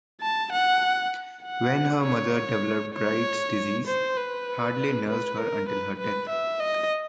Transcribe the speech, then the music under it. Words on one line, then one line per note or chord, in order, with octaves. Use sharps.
When her mother developed Bright's Disease, Hadley nursed her until her death.
A5
F#5
F#5
C#5
C#5
C5
B4
B4
A#4
B4
B4
E5
D#5